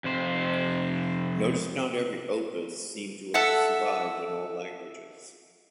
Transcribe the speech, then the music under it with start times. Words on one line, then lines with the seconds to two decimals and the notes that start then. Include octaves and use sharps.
Notice not every "opus" seem to have survived in all languages.
0.04 F2 C3 C5
3.34 A4 E5 F#5